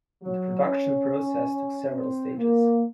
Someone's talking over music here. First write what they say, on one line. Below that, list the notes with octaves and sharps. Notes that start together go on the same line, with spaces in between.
The production process took several stages.
F#3
C#4
C4
A#3